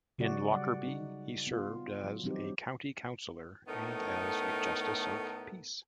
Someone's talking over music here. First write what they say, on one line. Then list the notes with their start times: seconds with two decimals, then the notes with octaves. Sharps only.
In Lockerbie, he served as a County Councillor and as a Justice of Peace.
0.19 C#3 F#3 F#4 D5
0.51 G3 D5 F#5
0.87 D#4
1.47 B3 F4
2.04 F#3
2.23 E3 F#3 G3 C4 D#4 G4
3.68 A2 A3 B3 D#4 A4 A#4